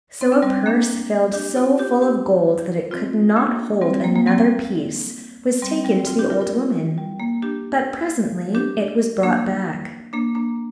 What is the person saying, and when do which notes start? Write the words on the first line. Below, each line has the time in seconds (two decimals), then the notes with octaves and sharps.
So a purse filled so full of gold that it could not hold another piece was taken to the old woman; but presently it was brought back.
0.21 C4
0.32 D4
0.42 G3 C4
0.66 A#3 D4
1.34 D4 G4
1.56 C4 F4
1.79 D4 G4
2.02 D4 G4
2.91 C4 F4
3.36 A#3 D4
3.81 G3 C4
3.93 G3
4.04 A#3
4.16 A#3
4.27 G3 C4
5.62 G3 C4
5.84 G3 C4
6.07 C4 F4
6.19 D4 G4
6.30 F4 A#4
6.41 F4 A#4
6.98 G3
7.20 A#3
7.42 D4 G4
8.55 D4 G4
9.23 A#3 D4
10.13 A#3 D4
10.35 A#3 D4